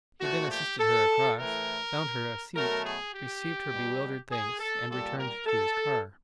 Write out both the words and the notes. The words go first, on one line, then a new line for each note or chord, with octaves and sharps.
He then assisted her across, found her a seat, received her bewildered thanks, and returned to his car.
A#2 F3 A3 F#4
G4
A4
A2 E3 A3 A#4
B2 F#3 A3 A#4
G#4
G4
B2 G3
G#4
A4
A#2 G3 A4
A#4
A4